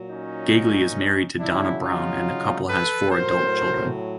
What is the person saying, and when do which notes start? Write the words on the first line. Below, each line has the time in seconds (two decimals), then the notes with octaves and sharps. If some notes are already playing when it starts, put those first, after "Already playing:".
Galey is married to Donna Brown and the couple has four adult children.
Already playing: A#2 F#3
0.11 C#4 D#4
1.40 C#3 F#3 D4 E4
1.82 D#4 F4
2.68 A4 B4
3.11 A2 F#3 A#4 C5